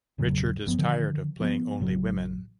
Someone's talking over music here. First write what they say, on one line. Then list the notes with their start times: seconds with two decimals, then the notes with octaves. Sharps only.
Richard is tired of playing only women.
0.18 E1 A2 C#3 F#3
0.66 G1 F3 B3
0.79 D3 D#3 F3
1.40 F3 A#3 B3
1.80 A1 C#3 F#3